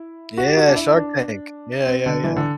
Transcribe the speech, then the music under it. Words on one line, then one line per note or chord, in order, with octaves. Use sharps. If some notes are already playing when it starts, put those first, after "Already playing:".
Yeah, Shark Tank. Yeah, yeah, yeah.
Already playing: E4
F#4
G4
F#4
D4
E4
D4
C4
D3
E3
D3